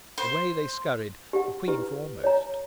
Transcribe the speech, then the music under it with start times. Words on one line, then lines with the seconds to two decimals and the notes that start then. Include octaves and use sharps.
Away they scurried, the queen foremost.
0.18 C5
1.33 G4 F#5
1.68 E4 G4 B4
2.24 C#5 A#5